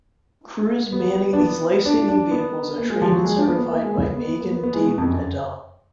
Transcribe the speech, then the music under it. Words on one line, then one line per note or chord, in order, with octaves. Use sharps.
Crews manning these lifesaving vehicles are trained and certified by Magen David Adom.
B3
D4
B3
D4
D4
B3
A#3
G#3
F3
F#3
G#3
D4
B3
B3
A#3
G#3
B3
B3
B3
A#3
B3
B3
G#3
B2
F2
F#2